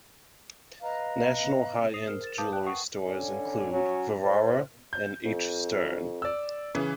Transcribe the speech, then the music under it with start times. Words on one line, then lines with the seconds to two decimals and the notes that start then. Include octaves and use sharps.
National high end jewelry stores include Vivara and H Stern.
0.81 B4 D#5 F5 A#5
1.94 D#6 C7 F7
2.08 G#4 A#4 C5 F6
2.24 A6 E7
2.38 B4 F5 A5 D6 D#6 G6
2.53 G5 F#6
2.66 F#5 C#6 D#6 C7
3.04 D3 C#4 D4
3.71 F#3 C#4
4.23 A2 C5
4.93 G6
5.25 F2
6.22 D5 E6
6.75 C#3 E3